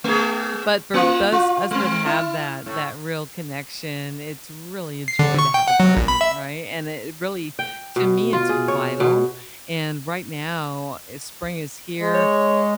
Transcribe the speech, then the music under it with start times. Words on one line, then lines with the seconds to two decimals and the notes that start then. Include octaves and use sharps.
but for those us that have that that real connection, it's really a joy to have a garden, right? And it really to me, it's vital, and right now, spring is here,
0.04 A3 G#4
0.94 A#3 F4
1.32 F4
1.71 G#3 C4
2.06 E4
2.66 A2
5.08 C7
5.19 D3
5.39 C#6
5.54 G5
5.68 F#5
5.80 F#3
5.97 A#1
6.08 B5
6.21 E5
7.59 G5
7.96 B2
8.33 F4
8.49 G#4
8.68 C#5
9.00 B2
12.00 G#3
12.14 C#5